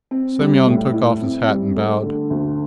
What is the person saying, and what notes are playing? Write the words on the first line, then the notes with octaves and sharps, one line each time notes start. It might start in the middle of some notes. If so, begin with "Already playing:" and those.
Semyon took off his hat and bowed.
C4
G3
A2
E4
C4
G3
A3
D3
D2